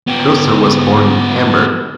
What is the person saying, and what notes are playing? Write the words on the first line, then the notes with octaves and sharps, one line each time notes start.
Koester was born in Hamburg.
B3 G4